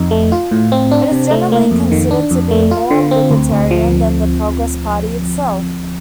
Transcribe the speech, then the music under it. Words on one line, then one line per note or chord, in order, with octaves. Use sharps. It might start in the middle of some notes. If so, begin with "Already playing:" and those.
It is generally considered to be more libertarian than the Progress Party itself.
Already playing: F2 D#4
A3
F4
A2
C4
D4
C3
A3
A#3
F2
D#3
D4
F2
A3
F4
D3
C4
D2
D2
F3